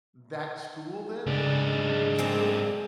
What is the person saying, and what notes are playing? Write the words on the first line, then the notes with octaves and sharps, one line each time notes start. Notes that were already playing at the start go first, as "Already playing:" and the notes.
that school then, the the elite school?
G#2 C#3 G#3 D4
A#3 C4 G#4